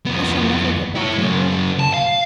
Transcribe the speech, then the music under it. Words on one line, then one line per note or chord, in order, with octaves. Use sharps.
We shall never get back in the world!
F2 B3
E4 C#5
C#3 F#3
A5
F5